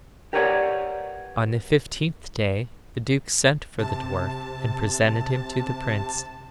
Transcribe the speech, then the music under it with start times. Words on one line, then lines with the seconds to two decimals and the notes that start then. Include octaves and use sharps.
On the fifteenth day the duke sent for the dwarf and presented him to the prince.
0.33 G4 A#4 B4 C#5 D5 F#5
3.78 C3 A5